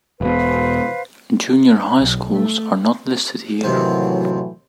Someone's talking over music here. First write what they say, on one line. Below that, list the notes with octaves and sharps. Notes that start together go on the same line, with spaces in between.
Junior High schools are not listed here.
E1 B2 B4 C5 F5
B1
A3
D#2 A2 C3 E3 F#3 C4